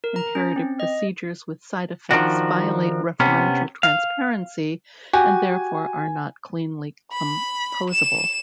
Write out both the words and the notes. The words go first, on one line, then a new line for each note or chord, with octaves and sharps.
Imperative procedures with side effects violate referential transparency and therefore are not cleanly composable.
A#4
A#5
C#4
C4
D#5
D#3 F3 D4 F#4
C3 B3 C#4
F5
F#4 G4 G#5
B5
E7